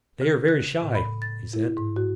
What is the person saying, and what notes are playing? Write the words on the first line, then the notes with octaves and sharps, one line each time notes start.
"They are very shy," he said.
C#3
F#6
A2
B5
A6
E4
G#2
F#4